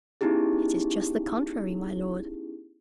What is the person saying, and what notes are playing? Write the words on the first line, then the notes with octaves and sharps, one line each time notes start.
'It is just the contrary, my lord!
B3 C#4 D#4 E4 G4 G#4